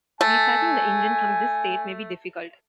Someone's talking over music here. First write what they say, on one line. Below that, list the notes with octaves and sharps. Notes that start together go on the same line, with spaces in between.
Restarting the engine from this state may be difficult.
A3 G#5